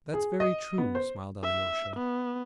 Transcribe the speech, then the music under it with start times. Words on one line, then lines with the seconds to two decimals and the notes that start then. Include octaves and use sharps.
"That's very true," smiled Alyosha.
0.14 G#4
0.40 D#5
0.78 B3
0.95 C5
1.43 E5
1.97 B3